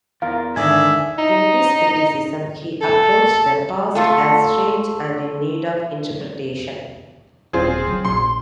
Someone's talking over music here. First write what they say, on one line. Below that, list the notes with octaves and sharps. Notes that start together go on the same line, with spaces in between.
In this criticism, he approached the past as strange and in need of interpretation.
E2 F4 A#4 F5
G#2 D3 D#3 G#4 D5 E5 G#5
D#4
A4
A3 F4 A4
D#1 C4 F4 G#4
C#3 F#3
A#1 C6